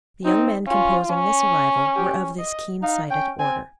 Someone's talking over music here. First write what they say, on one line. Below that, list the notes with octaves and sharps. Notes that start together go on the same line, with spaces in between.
The young men composing this arrival were of this keen-sighted order.
C4 D#4
C#4 F4
C#4
G4
D#5
D#4 F5
C#4 G5
C4 G#5